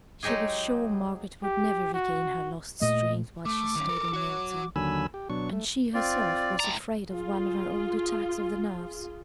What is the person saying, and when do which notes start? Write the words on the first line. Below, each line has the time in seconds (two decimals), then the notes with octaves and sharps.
She was sure Margaret would never regain her lost strength while she stayed in Milton; and she herself was afraid of one of her old attacks of the nerves.
0.23 F#3 G#3 D#4 G4 G#4
1.43 G4
1.94 F#4
2.82 A#2 A3 D#5
3.45 A3 D6
3.76 D#3 C#4
3.89 A4 A#4
4.13 F#4 C#5
4.76 D#2 D3 F#3 G#5 B5 E6
5.14 G4
5.30 B2 F#3 D4 C#6
5.53 A3
5.94 C4 F4 D5
6.60 A2 A#5
7.07 F4 G#4